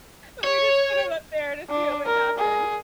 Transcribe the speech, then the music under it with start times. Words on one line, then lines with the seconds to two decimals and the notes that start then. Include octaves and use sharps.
and we just put him up there to see what would happen,
0.44 C#5
1.70 D4
2.06 A#4
2.38 G#4